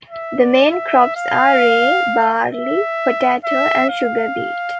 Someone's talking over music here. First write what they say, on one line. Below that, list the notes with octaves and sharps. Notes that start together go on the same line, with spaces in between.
The main crops are rye, barley, potato and sugar beet.
E5
D5
E5
F5
E5
E5
F5